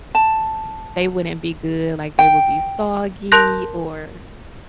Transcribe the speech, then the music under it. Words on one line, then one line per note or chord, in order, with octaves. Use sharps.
they wouldn't be good, like, they would be soggy or
A5
G5
A#4 A5 C6 F#6 G6 A#6